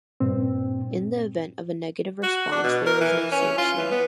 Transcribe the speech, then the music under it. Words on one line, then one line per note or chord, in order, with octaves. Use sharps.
In the event of a negative response, there is no sanction.
G2 A#2 C4
F#4
D4
B2
A#4
E3
C#4
F4
E3
B3